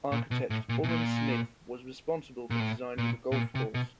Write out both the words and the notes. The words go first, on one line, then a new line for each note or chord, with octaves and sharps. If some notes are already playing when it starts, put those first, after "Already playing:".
Architect Orrin Smith was responsible for designing the golf course.
A#2
B2
A2
A#2
B2
A#2
A#2
A2
A#2
B2
A#2
C3
B2